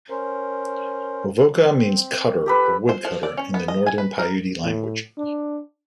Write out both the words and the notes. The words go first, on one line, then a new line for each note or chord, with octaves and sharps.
Wovoka means "cutter" or "wood cutter" in the Northern Paiute language.
C#4 A#4 C5
C4
F3 G4 A4 B4
C5
F3
D5
C#4
B3
D#5
G#5
B4
A#4
A2
D4